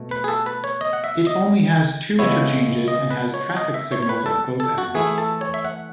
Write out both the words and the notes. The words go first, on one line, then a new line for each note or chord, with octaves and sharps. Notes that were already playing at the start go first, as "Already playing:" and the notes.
It only has two interchanges and has traffic signals at both ends.
Already playing: B2 A3
B4
G#4
A4
B4
C#5
D#5
F#5
E5
D#5
C#3 G#3 B3 E4 C#5
D#5
B4
C#5
D#5
E5
C#5
C#5
B4
A4
A4
F#4
E3 A3 E4 G#4
A4
C#5
E5
F#5